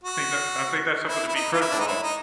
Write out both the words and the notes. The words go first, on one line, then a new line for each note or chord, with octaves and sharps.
I think that I think that's something to be critical of.
F#4
E4
E4
D#4
F4
E4
D4
D#4
E4
D#4